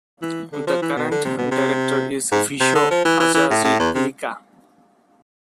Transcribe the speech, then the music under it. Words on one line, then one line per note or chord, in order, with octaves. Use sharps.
The current director is Visho Ajazi Lika.
E3
D3
F3
E3
B2
D3
C3
B2
C3
G#2
C3
D3
F3
E3
E3
E3
A2
A2
E2
C3